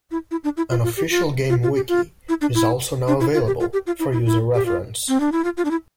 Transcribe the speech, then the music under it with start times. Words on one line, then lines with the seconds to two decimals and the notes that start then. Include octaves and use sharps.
An official game wiki is also now available for user reference.
0.11 E4
0.31 E4
0.44 D4
0.57 E4
0.70 F4
0.84 F4
0.97 G4
1.10 F4
1.50 F4
1.63 F4
1.76 G4
1.89 F4
2.29 E4
2.41 D4
2.55 E4
3.08 D4
3.20 E4
3.34 F4
3.47 G4
3.60 F4
3.73 G4
3.87 F4
3.99 E4
4.13 E4
4.26 E4
4.54 G4
4.66 F4
5.08 C4
5.20 D4
5.32 E4
5.44 F4
5.57 F4
5.65 D4
5.71 E4